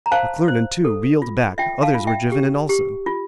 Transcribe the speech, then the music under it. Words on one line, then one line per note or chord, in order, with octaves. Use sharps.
McClernand, too, reeled back, others were driven in also.
A#5
C5 F5 A5
C5
A4
F4
F4 E5 G5
F5 A5
F4
E5 G5
G4
G4
F4